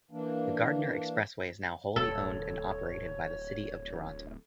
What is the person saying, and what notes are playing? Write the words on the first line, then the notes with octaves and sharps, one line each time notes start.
The Gardiner Expressway is now wholly owned and operated by the City of Toronto.
E3 A#3 D4
D1 A4 C#5